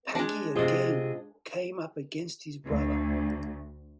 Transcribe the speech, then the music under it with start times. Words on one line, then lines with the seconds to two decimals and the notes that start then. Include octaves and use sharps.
Paki again came up against his brother.
0.15 G#3 D4
0.55 C3 F4 G#4 C5 D#5
2.65 D2